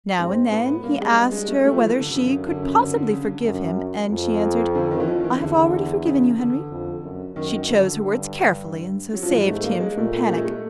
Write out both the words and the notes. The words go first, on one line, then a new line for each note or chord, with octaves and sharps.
Now and then he asked her whether she could possibly forgive him, and she answered, "I have already forgiven you, Henry." She chose her words carefully, and so saved him from panic.
G#2 C4
A2 B3
G2 A#3
G#3
G#3
A3
A3
F3
E3
D3
D3
F#2 C#3
C#3
D3
C#3
D3
D3
C#3
D3
F#2
F2
D3
D#3
E3
F3
D#3
E3
E2 D3
C#3
D3
F2
F#2
F#2 D#3
D#3
D3
G2
F#3
F3
G#2 E3
A3
A#3
G#3
A#2 A3
A3
G#3
A3